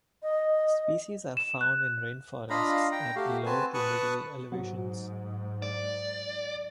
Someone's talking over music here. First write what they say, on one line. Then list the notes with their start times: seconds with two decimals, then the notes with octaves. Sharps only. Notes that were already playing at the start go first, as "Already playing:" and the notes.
Species are found in rain forests at low to middle elevations.
0.22 D#5
1.37 E7
1.61 F#6
2.50 D4 F4 D#5 F5 A#5 B5
2.92 G5 A#5
3.16 A3 F#4 G4 F5
3.46 C4 F#4 B4 G#5 A5
3.74 B4 A5 C#6 D#6 F#6
4.52 G#2 F#3
5.62 D5